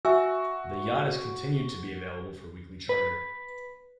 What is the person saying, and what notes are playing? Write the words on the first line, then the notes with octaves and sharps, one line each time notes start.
The yacht has continued to be available for weekly charter.
F#4 E5 G#5 E6
B4